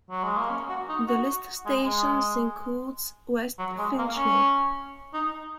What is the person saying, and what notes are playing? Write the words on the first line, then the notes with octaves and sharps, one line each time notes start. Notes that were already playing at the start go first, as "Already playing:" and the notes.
The list of stations includes West Finchley.
F#3
G#3
A#3
C#4
F#4
D#4
F#4
G#3
G#3
F#3
G#3
A#3
C#4
D#4